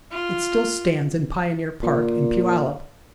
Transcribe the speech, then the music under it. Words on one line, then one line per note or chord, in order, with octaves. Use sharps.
It still stands in Pioneer Park in Puyallup.
F4
A#2